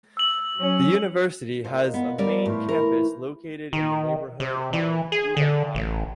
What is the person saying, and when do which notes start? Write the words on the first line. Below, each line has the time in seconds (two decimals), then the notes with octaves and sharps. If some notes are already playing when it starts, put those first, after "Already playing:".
The university has a main campus located in the neighborhood of Ullandhaug.
0.17 E6 F#7
0.56 F#3 C#4
1.64 A#2 F3 C5 D#5
1.94 B3
2.18 G3 A#4 D5
2.46 A2 E3 A3 F4
2.69 E4 A#4
3.73 D#3
4.40 C3
4.73 E3
5.12 G#4
5.37 D3
5.75 A1